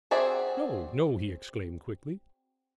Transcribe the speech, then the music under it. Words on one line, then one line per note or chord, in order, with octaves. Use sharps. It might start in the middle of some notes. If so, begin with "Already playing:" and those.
"No, no," he exclaimed quickly.
C4 F#4 G#4 D5 E5